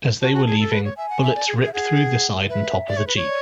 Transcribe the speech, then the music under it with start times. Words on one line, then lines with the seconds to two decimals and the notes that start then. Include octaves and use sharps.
As they were leaving, bullets ripped through the side and top of the Jeep.
0.21 F#4 A5
0.33 F#4
0.47 G#4
0.60 A4
0.72 B4
0.85 C#5
0.97 E5 G#5
1.10 F#5
1.23 E5
1.35 D5
1.48 G#4
1.57 F#4
1.61 G#4
1.67 E5
1.73 G#4 F#5
2.49 B4 E5
2.88 D5
2.97 C#5
3.07 B4
3.16 C#5
3.26 D5